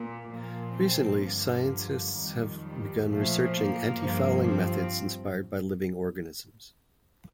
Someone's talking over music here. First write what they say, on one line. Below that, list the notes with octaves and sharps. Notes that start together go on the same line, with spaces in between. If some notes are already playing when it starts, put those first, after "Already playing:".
Recently, scientists have begun researching antifouling methods inspired by living organisms.
Already playing: A#2
A#2 F3 A#3
C4
G2 D3 F3 A#3
F2 D#3 G3
G3
A#2 F3 A3
A#3
G2 F3
C4